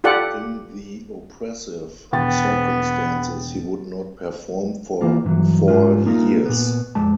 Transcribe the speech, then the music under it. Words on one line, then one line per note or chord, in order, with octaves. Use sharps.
In the oppressive circumstances he would not perform for four years.
F4 G4 A4 D5 F#5
E1 B3 G5 A6
E3 A#3 F4
G2 D3 E3 F#3
G#2 G#3 F4
A#3 D#4 F4 A#4
A#2 B3
F2 G#3 A5